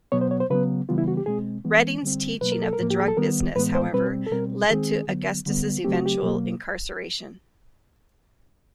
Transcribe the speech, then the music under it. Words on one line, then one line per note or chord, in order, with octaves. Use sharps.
Redding's teaching of the drug business however led to Augustus' eventual incarceration.
B2 F#3 B3 C#5
C5
C#5
C5
C#3 F#3 B3 B4
C#3 E3 G3 B3 F4
E4
F#4
G4
B2 G#3 C4 G#4
E3 G#3 B3
D3 G3 C4
B2 F#3 A#3 B4
A#4
A4
A#4
A2 F3 A#3
G4
G#4
A4
D#3 G3 B3 A#4
A2 E3 G#3 B3 B4
C5
B2 G3 C4 B4
A4
B2 G3 C4 A#4
D#3 G#3 C4 G#4
D3 F#3 B3
D3 G3 B3
C#3 F#3 A3 C4 G4
F#4
G4
B2 F#3 A#3